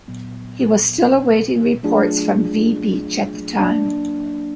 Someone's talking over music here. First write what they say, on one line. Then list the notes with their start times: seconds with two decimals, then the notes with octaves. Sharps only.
He was still awaiting reports from V Beach at the time.
0.08 A#2 F#3 B3
1.83 F#3 A3 D4 F4 G#4
3.59 F#3 A#3 D4